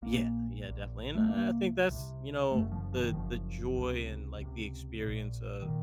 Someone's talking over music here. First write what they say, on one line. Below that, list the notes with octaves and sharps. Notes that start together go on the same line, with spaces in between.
Yeah yeah, definitely, and I I think that's, you know, the the joy and, like, the experience of
A#1 A#2 A#3
A#1 A#2
A3
C2 C3 A#3
C2 C3
F#1 F#2 C#3 A3
F3
F3
D#3
F#1 F#2 C#3 F3
C#2 C3
C#2 C3
A#1 A#2
A#2 D#3